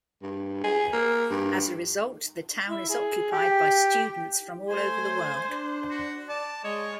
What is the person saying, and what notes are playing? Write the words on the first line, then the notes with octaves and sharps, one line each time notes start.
As a result, the town is occupied by students from all over the world.
G2
G#4
A#3
G2
E4
G#4
G4
A3 C5 G#5
D4
F#4
D5 A5
G#3 C#5 D#5